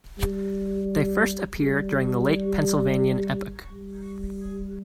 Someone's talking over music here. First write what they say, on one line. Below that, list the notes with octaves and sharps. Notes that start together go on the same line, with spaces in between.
They first appear during the Late Pennsylvanian epoch.
G3
G3
G3